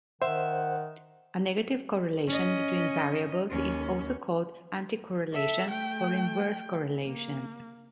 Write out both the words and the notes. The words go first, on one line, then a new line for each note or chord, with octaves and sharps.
A negative correlation between variables is also called anticorrelation or inverse correlation.
D#3 C5 E5 F#5
C#4 D#5
D#2 C#4
A4 E5
A3 G5
A#3